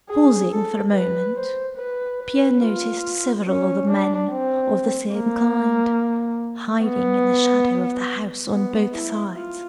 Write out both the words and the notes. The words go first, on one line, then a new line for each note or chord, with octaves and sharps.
Pausing for a moment, Pierre noticed several other men of the same kind hiding in the shadow of the house on both sides.
G#4
A4
B4
C5
B4
B4
F4
C#4
D4
C4
A#3
B3
B3
E4
F4